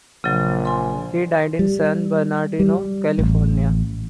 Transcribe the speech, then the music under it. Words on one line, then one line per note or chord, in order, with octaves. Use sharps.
He died in San Bernardino, California.
A#1 C#3 F#3
G#5 C6
G3
G3
A1